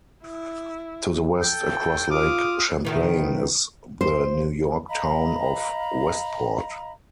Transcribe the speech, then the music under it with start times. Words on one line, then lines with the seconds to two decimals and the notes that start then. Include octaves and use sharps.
To the west, across Lake Champlain, is the New York town of Westport.
0.25 E4
1.42 A4 G5
2.11 F4 D6 D#6 F6
2.85 B2 D#3 E3
4.01 C5
4.88 D#5 F5 A#5 B5